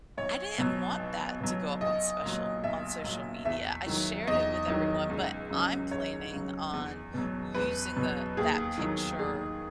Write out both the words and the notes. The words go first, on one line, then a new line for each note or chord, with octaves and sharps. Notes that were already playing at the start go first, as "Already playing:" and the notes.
I didn't want that to go up on special on social media. I shared it with everyone, but I'm planning on using the that picture.
B1 C#5
B2 F#3
B1
B2 F#3
B1 D#5
A#2 F#3
B1 E5
A#2 F#3
E2 E5
D#3 F#3
E2 D#5
D#3 F#3
C#2
C#3 F#3
C#2 C#5
C#3 F#3
E2
B2 F#3
E2 B4
B2 F#3
D#2 G#4
D#3 F#3
D#2 G#4